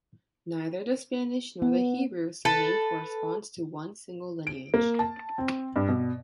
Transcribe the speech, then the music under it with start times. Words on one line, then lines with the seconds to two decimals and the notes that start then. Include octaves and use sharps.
Neither the Spanish nor the Hebrew surname corresponds to one single lineage.
1.62 B3
2.45 A4 B4
4.47 D7
4.74 A#3
4.99 A5
5.38 C4
5.76 G2
5.88 B2